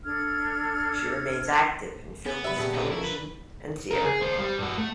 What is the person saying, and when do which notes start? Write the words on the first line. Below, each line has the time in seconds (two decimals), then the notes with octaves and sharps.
She remains active in films, television and theatre.
0.04 D4 A4 F6 G#6
2.26 B3 G#5
2.44 F#3 G4 B4 E5
2.56 A#2 C#3 F#4 G4 A4
2.74 D#4 B4
2.92 F3 E4 A#4
3.04 B4
3.91 C#3 A#4
4.05 G#4
4.22 D#2 C5
4.39 G3
4.59 G2 F#4
4.78 A3